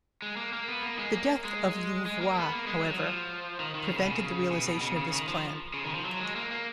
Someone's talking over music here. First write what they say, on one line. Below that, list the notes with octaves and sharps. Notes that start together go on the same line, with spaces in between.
The death of Louvois, however, prevented the realization of this plan.
G#3
A#3
A#3
B3
A#3
G#3
A#3
G#3
G#3
A#3
B3
A#3
G#3
F#3
F3
D#3
D#3
C#3
B2
C#3
B2
B2
C#3
C#3
D#3
F3
C#3
D#3
F3
F#3
G#3
A#3
A#3